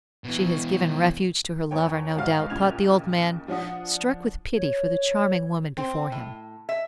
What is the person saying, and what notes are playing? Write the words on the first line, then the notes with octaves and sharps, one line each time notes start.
"She has given refuge to her lover, no doubt," thought the old man, struck with pity for the charming woman before him.
B2 E3
E2 C#5 G5
G#2 F#4 F5 F6
D#2 A#2 C#3 G#6 F7
F3 D4 F#5 D#6
C#5
C4
A2
E5